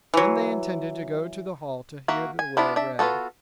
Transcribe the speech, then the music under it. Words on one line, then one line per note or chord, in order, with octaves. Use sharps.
Then they intended to go to the Hall to hear the will read.
E3 F#3
A#3 F#4 E5
G#5
B3 D4 E4 F4
D4 E5
B3 F4 F#4 A4